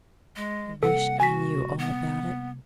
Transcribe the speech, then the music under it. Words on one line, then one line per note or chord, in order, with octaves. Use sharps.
I wish I knew all about it.
G#3
C3 G3 A#3 A4 F#5
F#4 G#5 B6
B3